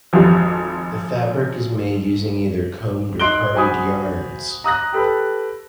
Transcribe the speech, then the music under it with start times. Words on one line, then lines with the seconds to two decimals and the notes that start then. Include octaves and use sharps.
The fabric is made using either combed or carded yarns.
0.13 G#1 F2 G3 F4
3.20 D#4 C6 F#6 D7 G7
3.55 F#4 C5 G#5 B5 D#6
4.64 A#5 D#6 F#6 A#6
4.93 G4 A4 B4